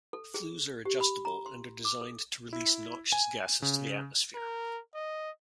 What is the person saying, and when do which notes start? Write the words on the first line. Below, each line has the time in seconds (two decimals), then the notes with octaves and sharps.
Flues are adjustable and are designed to release noxious gases to the atmosphere.
0.13 A4
0.34 G#4
0.85 G4
1.01 B5
1.25 A#5
1.46 C6
1.85 D6
2.01 A4
2.53 E4
3.12 G#5
3.62 C#3
4.35 A#4
4.95 D#5